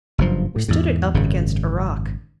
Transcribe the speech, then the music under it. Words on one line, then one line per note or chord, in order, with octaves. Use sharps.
We stood it up against a rock.
F#1 G2 F3
A2
E2 G#2
G#1 F#2 C#3